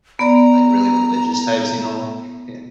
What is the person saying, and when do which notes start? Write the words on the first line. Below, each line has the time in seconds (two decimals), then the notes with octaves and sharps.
like, really religious types, you know? Yeah.
0.19 B3 D5 A#5